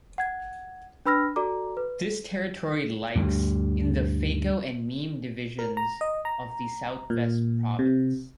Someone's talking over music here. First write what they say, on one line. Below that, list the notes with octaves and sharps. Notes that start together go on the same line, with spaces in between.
This territory likes in the Fako and Meme divisions of the Southwest Province.
F#5 G#6
D4 B4 B5 E6 F6 A#6
F#4 A4 D5 A#5 D6
B4
D2 G2
A#4
A#5
D#5
A#5
A#2
C3